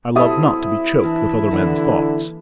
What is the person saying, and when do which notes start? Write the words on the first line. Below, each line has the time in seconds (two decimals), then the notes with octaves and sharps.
I love not to be choked with other men's thoughts.
0.15 F#3 C4 E4 G4 A4 E5 D#6
1.03 E3 D4
1.51 D3 E3 A#3 F#5